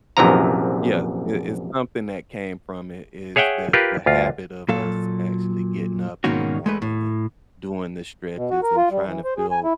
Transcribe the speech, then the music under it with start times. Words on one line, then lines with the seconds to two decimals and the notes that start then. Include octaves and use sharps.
Yeah, i it's something that came from it is that the habit of us actually getting up in the morning and doing the stretches and trying to feel
0.17 A#1 F#2 C3 E3 F3 A#5
3.36 G#4 C#5 E5 F#5 G5
3.73 F4 G4 A#4 B4
4.06 D2 F4
4.69 A#2 F#3 A4 F5
6.24 G#2 B2 D#3 A#3 C#4 F#4
6.66 G#3 A3 B4
6.82 A2
8.37 B2
8.50 F#4
8.63 A#4
8.76 F4
8.91 G3
9.07 E3
9.24 C5
9.38 G#4
9.51 G#5
9.64 E4